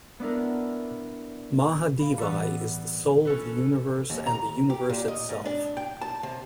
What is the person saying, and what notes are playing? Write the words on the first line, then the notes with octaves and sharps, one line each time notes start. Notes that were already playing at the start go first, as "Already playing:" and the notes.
Mahadevi is the soul of the universe and the universe itself.
B3 D4 E4 A#4
F5 B5
A2 E3 G3 B3
C#4 A4 B4
D#2
A#5
G4
A#2
D#5
G#2
D4
G5
A5
C3